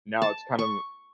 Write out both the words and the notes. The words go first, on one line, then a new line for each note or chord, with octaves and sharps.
Now, it's kind of
A5
C#6